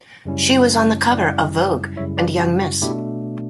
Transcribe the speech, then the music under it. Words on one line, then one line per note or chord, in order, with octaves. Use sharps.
She was on the cover of "Vogue" and "Young Miss".
F#2 C#3 G3 C#4 E4
F#2 C#3 G3 C#4 E4 D5 F#5
F#2 C#3 G3 C#4 E4 C#5 E5
B4 D5
F#4
F#4
B2 A3 D4 E4 G4